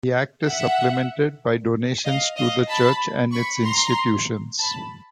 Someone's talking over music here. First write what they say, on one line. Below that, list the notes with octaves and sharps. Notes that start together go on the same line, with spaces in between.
The act is supplemented by donations to the Church and its institutions.
E5 F#5
D#5 F5
D#5 F5
A5 B5
B5 C#6
A#5 C6
A5 B5